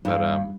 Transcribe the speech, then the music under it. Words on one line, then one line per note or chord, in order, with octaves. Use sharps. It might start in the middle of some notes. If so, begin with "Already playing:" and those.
but, um,
G2